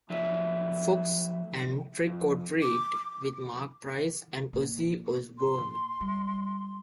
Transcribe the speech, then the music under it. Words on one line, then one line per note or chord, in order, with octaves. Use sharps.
Fox, and "Trick or Treat" with Marc Price and Ozzy Osbourne.
F3 F#3 A3 D5 E5
F2
D6
A#2
C6
G3